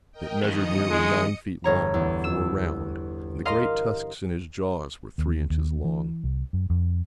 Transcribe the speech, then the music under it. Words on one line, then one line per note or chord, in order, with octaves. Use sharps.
It measured nearly nine feet long, and four round, and the great tusks in his jaws were three inches long.
A#4 D#5 G5
F2 D#3 D#5 D#6 C#7
G#3
G1 C#5 A#5
E2
E6 E7
A#4 D#5 F5 C6
D#2
D#2
E3
C2
F#2
F2